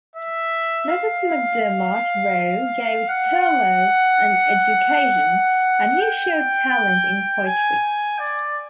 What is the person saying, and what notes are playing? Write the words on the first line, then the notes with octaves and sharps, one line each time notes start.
Mrs. MacDermott Roe gave Turlough an education, and he showed talent in poetry.
E5
F5
F#5
G5
G#5
D5